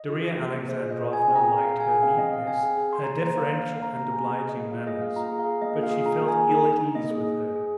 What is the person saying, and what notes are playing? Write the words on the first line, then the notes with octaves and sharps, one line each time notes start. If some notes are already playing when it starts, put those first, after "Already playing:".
Darya Alexandrovna liked her neatness, her deferential and obliging manners, but she felt ill at ease with her.
Already playing: D#5
F4
G#4
A#3
A#3
G#4 C5
F4
D#5
G#4
G#4 G#5
C4
A#5
G#4
G#4 F5
G#4
G#5
G#4
C4 F5
C4 D#5
C4 F5
C4 G#5
G#4
G#4
G#4 C6
A#5
A#3
A#5
A#3 C5
A#3 F5
A#3
F5
A#3
A#3 A#5
A#3 A#5
G#4 G#5
G#4
G#4
D#5
A#3
F4 F5
G#4 D#5
A#3 F5
F4 A#5
G#4
F5
G#4
A#3 D#5
F4
F5
G#4
F4 A#5
A#3
G#5
G#4
D#4
D#4
D#4
A#3 D#5
G#4
G#4
G#4
G#4